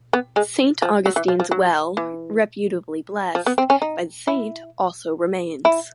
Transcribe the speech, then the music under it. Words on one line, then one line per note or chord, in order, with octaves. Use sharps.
Saint Augustine's Well, reputedly blessed by the saint, also remains.
B3
G#3
F3
F#3
E3
F3
F3
F#3
E3
F3
B3
C4
C#4
D#4
E4
E4